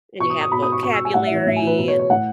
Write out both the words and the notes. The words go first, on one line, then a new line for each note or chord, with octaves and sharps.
And you have vocabulary and
B2 C#6
D#6
D#6
B2 B5
D#6
C#6
B2 C#6
E6
G#5
A2 F#5
E5
E3 C#5
A2 E5
G#5
E3
B4
B2 B4
C#5
C#5
A2 F#5